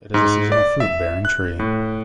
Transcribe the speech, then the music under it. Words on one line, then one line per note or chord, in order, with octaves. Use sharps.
It is a seasonal fruit bearing tree.
G#2
D5
E5
F#6
A2